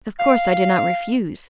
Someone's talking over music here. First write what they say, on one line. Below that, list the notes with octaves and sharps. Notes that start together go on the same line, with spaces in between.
Of course I did not refuse.
F5